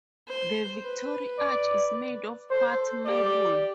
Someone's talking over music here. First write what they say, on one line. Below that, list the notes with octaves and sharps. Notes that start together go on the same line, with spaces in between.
The Victory Arch is made of white marble.
C5
B4
D5
A4 C5
G4 D5